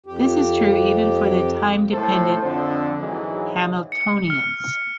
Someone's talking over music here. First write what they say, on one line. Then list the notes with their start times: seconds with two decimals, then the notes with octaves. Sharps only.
This is true even for time dependent Hamiltonians.
0.06 F2 G4
1.92 A2 A4 C5
2.42 F2 D3
3.00 G#2 E3 F#3 G#3
3.92 C#7
4.30 F6